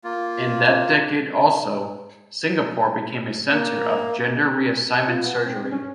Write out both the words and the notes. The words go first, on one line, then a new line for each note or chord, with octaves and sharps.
In that decade also, Singapore became a centre of gender-reassignment surgery.
A#3 F4
A#3
F4
B3
C4
C#4